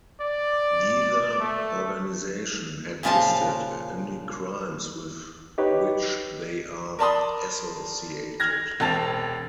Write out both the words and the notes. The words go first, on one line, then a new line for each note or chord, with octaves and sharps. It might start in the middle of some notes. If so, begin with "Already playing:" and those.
Neither organization had listed any crimes with which they are associated.
D5
A3
A#2 C#3 F3 F4 F5 A5
D#4 G4 B4 C#5
A#4 D5 A5 B5 C6 D#6
F6 G#6 A#6
E1 C4 A5 A6 F7